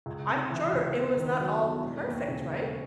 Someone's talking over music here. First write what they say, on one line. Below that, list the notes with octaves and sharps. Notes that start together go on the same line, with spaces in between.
I'm sure it was not all perfect, right?
C#2
C3
E3
C#2
E2
D#3
F#3
E2
E1
D#2
C#3
E1